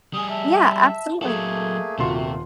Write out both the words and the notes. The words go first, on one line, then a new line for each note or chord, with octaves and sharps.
Yeah, absolutely.
G3 G#4 D#6
E5 A5
F#3 A3 A#3 G#4 A4
D#1 C3 F4 F#4 C6